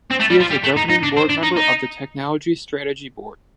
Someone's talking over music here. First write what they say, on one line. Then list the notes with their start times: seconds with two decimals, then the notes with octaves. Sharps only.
He is a governing board member of the Technology Strategy Board.
0.10 C4
0.20 A3
0.30 G3
0.40 F3
0.50 G3
0.64 A3
0.77 D#4
0.90 D#4
1.03 D4
1.17 C4
1.30 D4
1.43 D#4
1.57 D#4